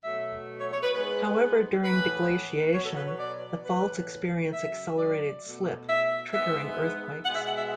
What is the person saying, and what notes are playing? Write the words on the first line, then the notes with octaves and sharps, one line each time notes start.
However, during deglaciation, the faults experience accelerated slip triggering earthquakes.
B2 F#3 A3 E5
C#5
C#5
B4
G#2 G#3 B3 B4
A2 E3 B3 B4
B2 F#3 B3 C#5
A4
B4
C#5
D5
A2 E3 B3 B4
F#2 C#3 F#3 E5
D5
B2 A3
E5
G#2 G#3 B3 E5
B2 G#3 B3 F#5
E5
F#5
E5